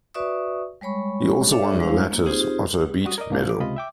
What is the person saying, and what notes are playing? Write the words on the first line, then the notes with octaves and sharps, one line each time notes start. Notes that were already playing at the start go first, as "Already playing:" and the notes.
He also won the latter's Otto Beit Medal.
F#4 B4 D5 E5 C#6 D#6
G3 G#3 C#5 B5 C#6
D4 A4 C#5 D5 E5 D6
G3 G#3 D4 E4 C5 F5
A#3
C4 D#4 F4 G4 G#4 C5
G3 F#4 D#6
A#4 D5 D#5
G#2 C#3 A#3 D4 F4
F3 D6
C#2 C3 G#3 F4 D#5 B5
E5 G5 D6